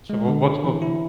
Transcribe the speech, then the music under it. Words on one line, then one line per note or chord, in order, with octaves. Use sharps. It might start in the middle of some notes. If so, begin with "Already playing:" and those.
So w what's co
G#3
D3
D3
E3
E4